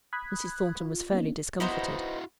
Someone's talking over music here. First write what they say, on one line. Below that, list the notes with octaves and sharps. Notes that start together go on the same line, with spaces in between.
Mrs. Thornton was fairly discomfited.
B5 D#6 F#6 G#6 B6
F4
A#3 B3 C#4 D#4
B3 D#4 E4 F#4 C5